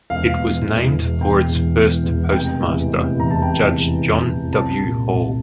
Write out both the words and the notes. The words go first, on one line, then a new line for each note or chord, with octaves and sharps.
It was named for its first postmaster, Judge John W. Hall.
E1 F5
E2 E3
E1
E2 E3
E1 G5
E2 E3
E1
E2 E3
F1 G5
E2 E3
F1
E2 E3 A#5
A5
F1 G5
E2 E3
F1
E2 E3
C2 A5
A#2
C2